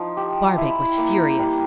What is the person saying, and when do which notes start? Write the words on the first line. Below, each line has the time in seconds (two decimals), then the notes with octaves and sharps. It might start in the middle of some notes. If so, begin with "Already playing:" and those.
Barbaik was furious.
Already playing: F3 D#4
0.17 G4
0.57 E4
0.98 A#3
1.39 G3